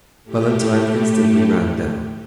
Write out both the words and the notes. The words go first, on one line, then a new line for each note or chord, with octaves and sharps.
Valentine instantly ran down.
A2 A3 G4